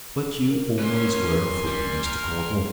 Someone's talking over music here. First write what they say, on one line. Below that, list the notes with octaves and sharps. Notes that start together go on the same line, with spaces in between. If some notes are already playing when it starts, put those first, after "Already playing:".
But you always were a fool, Mr. Caudle!
A#4
C#4 B4 G#5 C6
G3
A#4